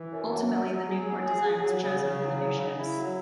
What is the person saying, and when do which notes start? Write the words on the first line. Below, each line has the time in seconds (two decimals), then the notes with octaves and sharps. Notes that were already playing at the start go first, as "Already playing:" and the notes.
Ultimately, the Newport design was chosen for the new ships.
Already playing: E3
0.12 F#2
0.31 F#3
0.50 F#3
0.69 F#3
0.88 G#4
1.07 C#4
1.26 G#4
1.45 G#4
1.63 F#3
1.83 C#3
2.02 C#3
2.20 F#3
2.40 C#3
2.59 C#3
2.78 E4
2.96 F#3